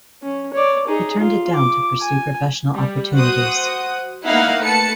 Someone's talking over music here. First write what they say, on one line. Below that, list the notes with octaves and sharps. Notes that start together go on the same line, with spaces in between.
He turned it down to pursue professional opportunities.
C#4
C#5 D5
D#4 G#4
F4
D6
G#5
G3
F#4 C5 F#5 D#6
A#3 B3 D#4 E4 F5 F#5
A3 B4 A5 C#7